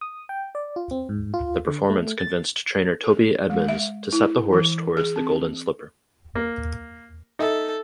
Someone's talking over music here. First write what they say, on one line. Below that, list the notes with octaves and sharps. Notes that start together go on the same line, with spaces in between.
The performance convinced trainer Toby Edmonds to set the horse towards the Golden Slipper.
D#6
G5
D5
F4
C4
G#2
F4
D3
A3
A6
A4
G#3
E5
E4
E3
G#4
C4
A#3
D#4 A4 E5